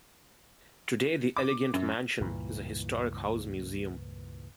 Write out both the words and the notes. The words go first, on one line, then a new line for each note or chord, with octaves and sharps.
Today the elegant mansion is a historic house museum.
D6
F#2
C#2 G2 A#2 E3